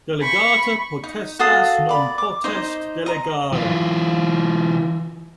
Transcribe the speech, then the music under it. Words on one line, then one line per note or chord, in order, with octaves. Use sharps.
Delegata potestas non potest delegari.
B5 C#6
D#4
F#4 A4 F5 D#6
D5 B5
D6
D#4 C5 D#5
D#5 A#5
E3 F4